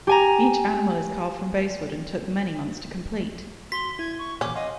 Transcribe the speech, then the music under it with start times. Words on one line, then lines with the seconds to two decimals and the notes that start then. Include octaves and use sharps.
Each animal is carved from basswood and took many months to complete.
0.07 G4 G#5 A#5
3.72 F#4 C6 B6
3.99 E4 G#6
4.19 C#6
4.41 A#2 E3 C#4 D6
4.55 D#5 F5 F#5 C6